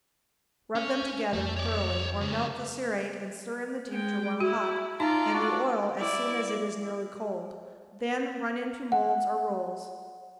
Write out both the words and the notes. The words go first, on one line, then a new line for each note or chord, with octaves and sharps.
Rub them together thoroughly, or melt the cerate and stir in the tincture while hot, and the oil as soon as it is nearly cold, then run into molds or rolls.
C#4
F2 A3
C#5 D5
F#2 C#3
G#3 G5
E4 F#4
D#4 F4 D5 A5 A#5
D4 F#4
E4 D5
F#5